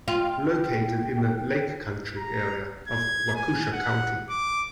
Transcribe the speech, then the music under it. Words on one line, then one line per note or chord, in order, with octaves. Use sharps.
Located in the "Lake Country" area of Waukesha County.
F4 G5
A#5
G#6
G#5
F#5
D6